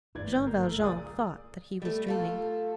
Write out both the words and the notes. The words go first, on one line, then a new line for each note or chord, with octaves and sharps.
Jean Valjean thought that he was dreaming.
G1 D2 G#2 E3 D5 G#6
G6
A#3
A3 A#4
B1 F4 G#4 D5 D#6
G3 A3
A3 F4 A4